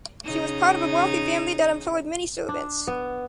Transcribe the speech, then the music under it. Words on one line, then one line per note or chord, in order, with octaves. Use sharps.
She was part of a wealthy family that employed many servants.
C#3 D#4
D4
B3